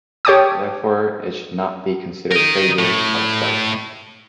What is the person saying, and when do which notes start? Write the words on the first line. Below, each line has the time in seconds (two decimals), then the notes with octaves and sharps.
Therefore, it should not be considered a failure, but a start.
0.25 G4 C#5 G5 A5 D6 D#6
2.32 A#4 D#5
2.79 A2